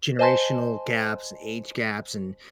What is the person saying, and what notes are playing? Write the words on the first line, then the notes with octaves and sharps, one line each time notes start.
generational gaps, and age gaps, and,
C5 D#5 G#5 A5 C6